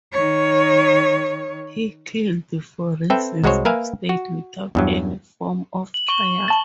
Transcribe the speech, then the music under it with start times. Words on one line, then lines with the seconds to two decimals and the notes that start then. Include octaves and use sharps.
He killed for reasons of state without any form of trial.
0.12 D#3 C#5
3.10 C4 A4 B4 E5 G5
3.44 C2 G#3 F#4 G#4 C5 C#5
3.65 A#3 A#4 B4 E5 F5 G#5
4.09 F#4
4.75 E2 G2 F#3
5.94 F#7
6.09 C#6 G7
6.48 A5 A6